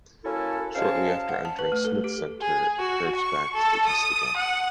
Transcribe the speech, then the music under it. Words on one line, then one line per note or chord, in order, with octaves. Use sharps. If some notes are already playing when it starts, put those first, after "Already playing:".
Shortly after entering Smith Center it curves back to the east again.
A#3 C#4 E4 F#4 A4
F#3 G#3 C#4 C5 F5 A5
F#5
A5
B4
A3
A4
G4
G#4
F#4
C#6
A4
D#6
F#5